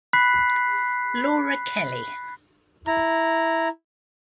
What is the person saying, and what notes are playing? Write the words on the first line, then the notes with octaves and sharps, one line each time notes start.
Laura Kelly.
B5 F#6 B6 C7
E4 A#5